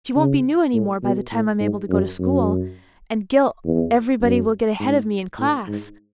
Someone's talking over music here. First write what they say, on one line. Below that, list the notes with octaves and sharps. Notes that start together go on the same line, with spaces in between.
She won't be new any more by the time I'm able to go to school. And Gil--everybody will get ahead of me in class.
C#3
A2
B2
A2
G#2
F#2
F#2
E2
F#2
G#2
A2
G#2